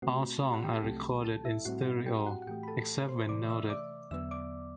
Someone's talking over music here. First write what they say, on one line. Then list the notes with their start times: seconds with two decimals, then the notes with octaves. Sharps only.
All songs are recorded in stereo, except where noted.
0.02 B2 A3 C4 F#4
0.44 G4
0.53 F#4 F#5
0.64 G4 G5
0.73 A4 A5
0.83 C2 C3 F#3 A3 C4 G4 G5
1.24 A4 A5
1.45 E4 E5
1.65 A2 G3 C4 F#4 F#5
2.06 G4 G5
2.26 F#4 F#5
2.42 F#5
2.47 A2 E3 A3 G4 G5
2.63 B5
2.68 A4 A5
3.09 C5 C6
3.29 C3 E3 A3 D5 D6
3.50 E5 E6
3.70 D5 D6
4.11 E2 D3 F#3 B3 E5 E6
4.31 D5 D6